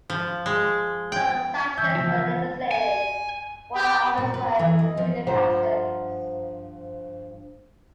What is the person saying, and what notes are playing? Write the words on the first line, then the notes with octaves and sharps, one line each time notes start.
Some sanctions were legislated while others were executive actions.
F3
G#3
G5
D3 E3 G3 E5 G6
C#3 F3 A3 B3
G#5
G4
A#2
B4
E3
D#5
F3
G2 F3 C5 F#5 A#5